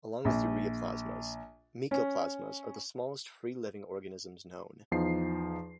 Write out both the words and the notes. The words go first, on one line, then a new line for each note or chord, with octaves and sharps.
Along with ureaplasmas, mycoplasmas are the smallest free-living organisms known.
A#1
C#4
E2 F3 D#4 C7